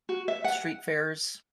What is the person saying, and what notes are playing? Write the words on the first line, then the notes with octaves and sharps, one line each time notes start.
street fairs.
F#4
E5
F#5